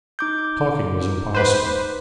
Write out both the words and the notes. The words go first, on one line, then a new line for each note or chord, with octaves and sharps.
Talking was impossible.
D#4 D6 G6
B4 C5